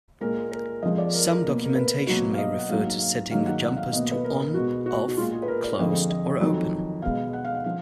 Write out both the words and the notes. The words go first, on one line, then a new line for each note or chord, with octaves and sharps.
Some documentation may refer to setting the jumpers to on, off, closed, or open.
A#2 G#3 A#4
A#4
F2 F3 G#3 D#5
D5
A#4
A#4
B2 A#3
A#4
B4
B2 F#3 A#3 F#4
F5
D#5
F#5
G#2 F#3 A#3 F5
F5
G#2 D#3 F#3 A#3 F5
F#5
F#5
F5
B2 A#3 D#5
B4
A#4
B2 G#3 F#4
F#4
F#4
A#2 G#3 F4
G#4
B4
A#4
D5
F2 D3 F3 G#3 D#5
D#5
F2 D#3 F#3
B2 G#3 F5
F#5
F5
F#5
F3 F5